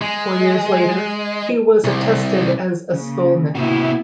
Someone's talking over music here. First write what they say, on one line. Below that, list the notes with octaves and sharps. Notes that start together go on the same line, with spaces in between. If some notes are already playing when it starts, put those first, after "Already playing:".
Four years later, he was attested as a stolnik.
G#3
C2
C#3 A#3
C3 A#3 B3 E4 F#4